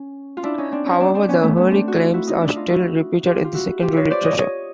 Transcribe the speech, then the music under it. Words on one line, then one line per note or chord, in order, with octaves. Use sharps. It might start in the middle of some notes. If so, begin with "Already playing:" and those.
However, the early claims are still repeated in the secondary literature.
Already playing: C#4
F4
D4 E4
C#4 D#4
C4 D4
C#4 D#4
C4 D4
C4 D4
B3 C#4
A3 B3
B3 C#4
C4 D4
F#4
D#4 F4
E4 F#4
D#4 F4
D4 E4
D#4 F4
E4 F#4
F4 G4
F4
E4 F#4
F4 G4
B4 C#5
C5 D5
C#5 D#5
C#5 D#5